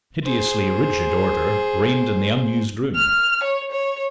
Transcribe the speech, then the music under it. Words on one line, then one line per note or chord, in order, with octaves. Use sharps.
Hideously rigid order reigned in the unused room.
G#4 C5
F6
C#5
C#5